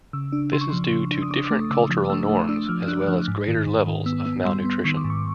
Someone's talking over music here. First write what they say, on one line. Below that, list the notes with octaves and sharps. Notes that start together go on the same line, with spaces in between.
This is due to different cultural norms as well as greater levels of malnutrition.
C#3 E6
D4
C#3 C6
C#6
F3 C6
C#3
D4
D#6
D4 D6
A3
C#3 E6
F3
A3 E6
A3
D4 E6
F3 F6
D4 F#6
F3 F6
G#2
D#3
G#2
D#3
B3 E6
B3
G3 C6
B3
D#3 C#6
D6
G#2
C#6